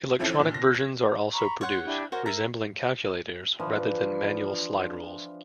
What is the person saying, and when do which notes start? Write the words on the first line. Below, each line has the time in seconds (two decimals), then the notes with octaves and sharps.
Electronic versions are also produced, resembling calculators, rather than manual slide rules.
0.19 E3 F3 C4 C#4 E4 A4
0.40 A#2 D3
0.54 A#6
0.75 G#6
1.34 A#5 B5 C#6
1.61 C#5 F#5 C6
1.84 D4 E4 G4
2.12 F#4 A#4 C5 C#5
2.26 E5 A#5
3.60 E3 F3 D4 B4